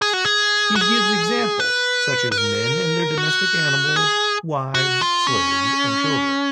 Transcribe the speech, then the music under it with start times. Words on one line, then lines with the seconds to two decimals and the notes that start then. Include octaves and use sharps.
He gives examples such as men and their domestic animals, wives, slaves, and children.
0.02 G#4
0.13 F#4
0.25 G#4
0.76 F#4
0.81 G#4
1.60 B4
2.32 B4
2.38 A#4
3.18 F#4
3.96 G#4
4.75 F#4
5.01 F4
5.27 C#4